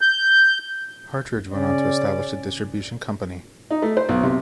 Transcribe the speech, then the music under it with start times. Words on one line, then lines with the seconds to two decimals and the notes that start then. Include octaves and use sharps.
Hartridge went on to establish a distribution company.
0.01 G6
1.52 C#3 C#4 D5
3.71 D#4
3.82 A3
3.97 C5
4.09 B1
4.23 C3